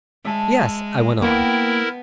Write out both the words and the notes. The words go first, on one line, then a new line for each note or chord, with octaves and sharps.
"Yes," I went on.
G#3 E5 A5
A#3 B3 E4 A#4 F#5 G5